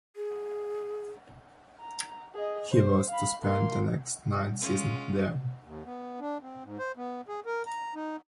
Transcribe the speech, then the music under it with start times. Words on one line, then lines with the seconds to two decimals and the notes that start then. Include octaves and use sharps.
He was to spend the next nine seasons there.
0.16 G#4
1.80 A#5
2.34 G#4 D#5
2.71 C5
3.10 F5 B5
3.42 A#3 C6
4.61 G#3 C#4 F4
5.64 D#2
5.85 B3
6.20 D4
6.42 C4
6.64 G#2
6.79 C5
6.97 B3
7.28 G#4
7.46 A#4
7.66 A#5
7.95 D#4